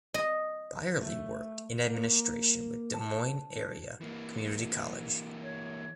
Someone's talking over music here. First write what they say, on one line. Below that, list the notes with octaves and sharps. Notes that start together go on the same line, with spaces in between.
Byerly worked in administration with the Des Moines Area Community College.
D#5
A3
A#3
A5
E3 A#3
C#5